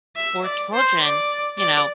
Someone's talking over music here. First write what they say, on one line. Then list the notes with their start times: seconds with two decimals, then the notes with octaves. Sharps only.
for children, you know,
0.16 E5
0.44 D5
0.73 C5
1.01 D5
1.58 D5